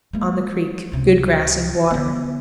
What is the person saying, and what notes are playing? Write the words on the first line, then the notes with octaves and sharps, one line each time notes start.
On the Creek.--Good grass and water.
G#3 A#3
C#2 C3
D3 B3